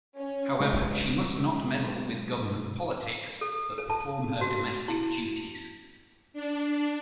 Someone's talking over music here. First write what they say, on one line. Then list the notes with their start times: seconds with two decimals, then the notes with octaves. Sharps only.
However, she must not meddle with government politics, but perform her domestic duties.
0.17 C#4
0.60 B1 G#3 D4 F#4 B4 D#5
3.41 A4
3.78 A4
3.90 A5
4.41 F#4
4.88 E4
6.33 D4